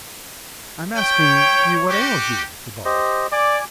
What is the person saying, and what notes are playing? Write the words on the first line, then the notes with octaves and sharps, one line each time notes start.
"I'm asking you what ails you?" he bawled.
E4 C#5 G5
F#4 G4
G4 C5 D#5
D5 G#5 D6